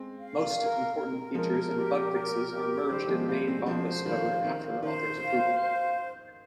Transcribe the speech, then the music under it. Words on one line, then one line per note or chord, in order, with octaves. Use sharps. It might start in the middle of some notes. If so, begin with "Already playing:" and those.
Most important features and bugfixes are merged in main Bombus code after author's approval.
Already playing: G#3 C4
F5
A#4
A#4
F3 G#3 A#4
G4
A#4
G4
D#3 G3 C5
F3 G#3
G3 A#3 C5
G#3 C4
F3 G#3 C5
D#3 G3 F5
D#3 C5
D#3 C5
F5
C5